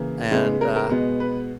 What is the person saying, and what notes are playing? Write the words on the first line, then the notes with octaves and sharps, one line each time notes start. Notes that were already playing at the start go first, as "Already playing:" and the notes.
And, uh
Already playing: C#3 E3 A#3
C#3 G#3 B3
A#4
A#4
B2 G#3 B3
B4